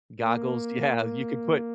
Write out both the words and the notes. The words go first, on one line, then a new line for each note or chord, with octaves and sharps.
goggles Yeah you could put
A#3